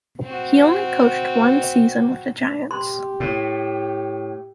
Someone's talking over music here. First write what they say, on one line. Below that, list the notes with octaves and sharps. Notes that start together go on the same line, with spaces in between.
He only coached one season with the Giants.
C4 F#4
G4 C6
A2